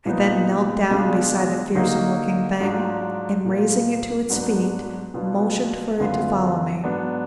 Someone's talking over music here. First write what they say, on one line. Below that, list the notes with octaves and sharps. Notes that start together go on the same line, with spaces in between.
I then knelt down beside the fearsome-looking thing, and raising it to its feet motioned for it to follow me.
A#2 F3 B3 D#4
B2 G#3 D4 F4
D3 F#3 A#3 D#4
G#2 F#3 D4 F4
A#2 F3 A#3
G#2 F#3 B3 D4
B2 F#3 B3 D4 F4
F#2 D3 F#3 B3 F4
G#2 F#3 B3 D4